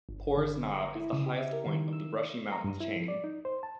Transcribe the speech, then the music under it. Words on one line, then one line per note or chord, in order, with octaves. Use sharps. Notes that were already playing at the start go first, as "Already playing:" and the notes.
Pores Knob is the highest point of the Brushy Mountains chain.
G1
D3
A#5
E4
C#3
G4
E5
A#4
D#3
E6
D5
A#5
G2
E4
F3
D5
D#4
C5
A5